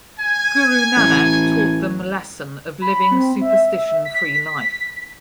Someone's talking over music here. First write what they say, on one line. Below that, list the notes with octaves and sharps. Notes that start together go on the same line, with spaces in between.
Guru Nanak taught them lesson of living superstition free life.
G#5
A1
B5
C4
E5
B6